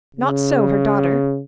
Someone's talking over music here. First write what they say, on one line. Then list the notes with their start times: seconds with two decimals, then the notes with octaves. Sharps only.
Not so her daughter.
0.16 C#3